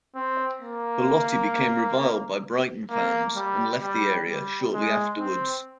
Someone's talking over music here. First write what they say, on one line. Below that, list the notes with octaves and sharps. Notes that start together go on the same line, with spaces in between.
Bellotti became reviled by Brighton fans and left the area shortly afterwards.
C4
A#3
A#3
G3
G3
G3
G#3
C4